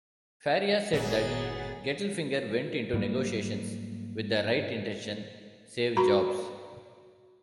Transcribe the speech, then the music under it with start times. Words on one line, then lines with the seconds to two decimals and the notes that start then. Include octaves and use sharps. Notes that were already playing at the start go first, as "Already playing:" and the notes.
Faria said that Gettelfinger went into negotiations with the right intention...Save jobs.
0.93 G1 A#2 D#3 F#3 G#3 B3 G#4 A6
2.94 G#2 F#3 G3 A#3
5.97 F#4 A#5 B5